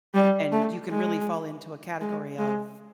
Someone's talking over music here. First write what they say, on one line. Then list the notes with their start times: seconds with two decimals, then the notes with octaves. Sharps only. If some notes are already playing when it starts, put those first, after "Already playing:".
And you can really fall into a category of,
0.15 G3
0.52 A3
0.90 G#3
2.01 G#3
2.38 G#3